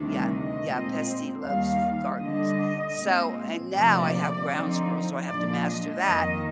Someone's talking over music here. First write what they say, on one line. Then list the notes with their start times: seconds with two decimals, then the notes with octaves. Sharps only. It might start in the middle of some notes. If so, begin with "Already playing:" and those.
Yeah, yeah, pest he loves f gardens. So, and now I have ground squirrels so I have to master that,
Already playing: D2 C3 D#3 G3 D4
0.27 D#5
0.66 A#2 G#3 C4
1.42 D#2 D#3 G3 F5
2.19 D3 G3 D4 D#5
2.96 A#2 G#3 C4
3.73 D2 C3 F3 A#3 D5
4.51 D3 F3 C4 D#4
5.27 A#2 F3 G#3 D4 D5
5.65 D#5
6.05 F2 D#3 A#3 D#5